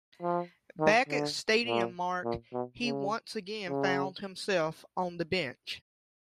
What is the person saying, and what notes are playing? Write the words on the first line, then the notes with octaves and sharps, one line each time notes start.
Back at Stadium mark he once again found himself on the bench.
F3
D#3
D3
A#2
A#2
B2
C#3
C#3